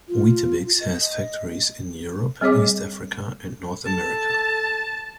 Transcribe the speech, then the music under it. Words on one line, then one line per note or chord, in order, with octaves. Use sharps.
Weetabix has factories in Europe, East Africa and North America.
F4
D#5
G3 C4 G#4 C#5 D#5 D6
A4 A5